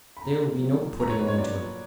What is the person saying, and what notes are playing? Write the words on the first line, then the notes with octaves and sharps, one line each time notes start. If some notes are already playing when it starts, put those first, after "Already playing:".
There will be no putting an end to it.
B5
A#2 A#5
A#3
F#3
A#2
A#2 A#5
C#5
A#3 B4
C#5
F#3 D5
A#2